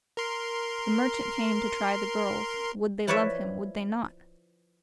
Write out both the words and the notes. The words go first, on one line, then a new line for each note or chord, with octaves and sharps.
The merchant came to try the girls: Would they love him, would they not?
A#4 C6
F3 E4 B4 C#5 D5 E5